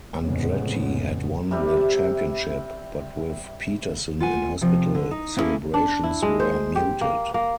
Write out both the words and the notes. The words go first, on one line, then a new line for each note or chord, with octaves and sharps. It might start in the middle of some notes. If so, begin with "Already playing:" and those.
Andretti had won the championship, but with Peterson in hospital, celebrations were muted.
F1 F2 A2 C#3 G#3 B3
C3 G3 E5
F4 F#5 G#5
C3 F3
D3
D#4
A#3 B3 C#4 E4 G#4 A4
D4
E4
G#3
C5
G4
A#3
A#3